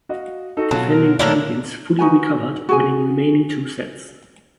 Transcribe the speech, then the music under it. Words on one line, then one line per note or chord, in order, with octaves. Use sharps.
Defending champions fully recovered winning remaining two sets.
F#4 D#5 F5
D#4 F#4 A4
B2 F#3 F4 A5
A#4
A#2 A3 D4 F4 A4 A#4 C#5
D#4 F#4 B4 G#5
F#4 G#4 G#5